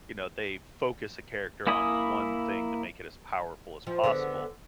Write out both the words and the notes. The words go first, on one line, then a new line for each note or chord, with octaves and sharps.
you know, they focus a character on one thing to make it as powerful as possible,
A#3 E4 G#5 B5 D#6
F3
D3 B3 G#4